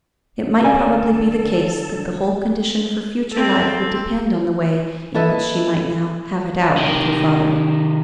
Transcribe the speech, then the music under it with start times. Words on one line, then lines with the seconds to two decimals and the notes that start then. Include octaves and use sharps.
It might probably be the case that the whole condition of her future life would depend on the way in which she might now "have it out" with her father.
0.63 D3 C#4 A4 D5 G#5
3.32 C4 A4
5.15 A#3 E4 A4 B4 D#5 E5
6.77 C3 D#3